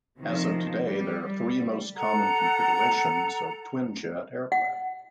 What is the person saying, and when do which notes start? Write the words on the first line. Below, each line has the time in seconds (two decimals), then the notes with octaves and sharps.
As of today, there are three most common configurations of twinjet aircraft.
0.18 C3 D#3 F3
0.84 G3
1.24 G3
1.96 A4 F#5 A#5
4.52 F#5